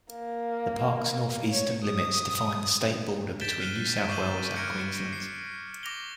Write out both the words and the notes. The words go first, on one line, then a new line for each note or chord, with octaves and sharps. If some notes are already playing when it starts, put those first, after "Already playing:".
The park's north-eastern limits define the state border between New South Wales and Queensland.
A#3
C#5
D#6
G6 A6 B6 D7 E7 G7
F6 F#6 C7 D7 D#7 G7
C#6 D6 G6 C7 D#7 F#7
F6 F#6 G#6 A#6 C#7 D7
C7
D6 A#6 F7 G7